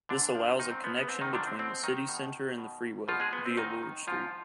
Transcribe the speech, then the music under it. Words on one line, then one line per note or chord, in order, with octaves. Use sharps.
This allows a connection between the city centre and the freeway, via Lord Street.
G#2 D3 D4
F3
G#2 D#3 D#4
C4
F3 B3
B3
G#2 C4
D#3 D#4
D3 F3 D4
C4
B2 C4
D#3 D#4
B2
B2
B2 F3 F4
G#3 G#4
B3
C4
G#2 D#3 D#4
D#3
G#2 F3 F4